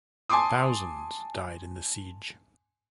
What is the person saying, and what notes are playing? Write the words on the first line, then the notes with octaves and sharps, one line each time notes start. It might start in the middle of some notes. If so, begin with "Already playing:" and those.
Thousands died in the siege.
G#5 A5 C6 D6 D#6